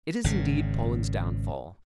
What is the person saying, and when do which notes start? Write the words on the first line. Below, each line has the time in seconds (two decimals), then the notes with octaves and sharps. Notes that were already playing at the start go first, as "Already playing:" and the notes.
It is indeed Poland's downfall.
0.24 G#1 C#3